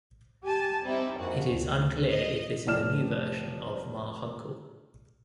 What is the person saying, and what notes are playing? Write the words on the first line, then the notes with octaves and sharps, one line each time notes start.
It is unclear if this is a new version of Ma Hunkel.
G4 G#5 A5
G3 C4 D#4 E4
A#1 F2 F#4
D2
D#5
F1 A2 D5 F6 E7